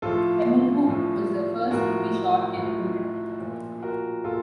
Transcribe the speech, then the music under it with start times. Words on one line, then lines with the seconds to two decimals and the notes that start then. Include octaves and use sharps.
Pemulwuy was the first to be shot and wounded.
0.02 A2 F3 F4 A4
0.87 A2 F3
1.71 A2 F3 F#4 A#4
2.55 A2 F3
3.40 A#2 F3
3.82 F#4 A#4
4.24 A#2 F4 A4